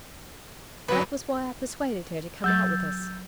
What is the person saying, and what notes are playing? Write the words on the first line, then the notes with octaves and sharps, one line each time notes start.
That was why I persuaded her to come out with us.
G1 F#2 F#3 B4 F#5
F#3 E6 G6 A6